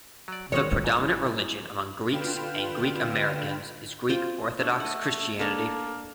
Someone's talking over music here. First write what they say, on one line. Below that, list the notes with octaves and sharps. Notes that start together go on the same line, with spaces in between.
The predominant religion among Greeks and Greek Americans is Greek Orthodox Christianity.
F#3 D5
G#1 D#3 G#3 C#5 F#5
G#2 F#3
E4
D3 F4 B4 G5 F6 E7
F4 C5 G5
A3 D4
D#5 F#5
A#3 D4 A4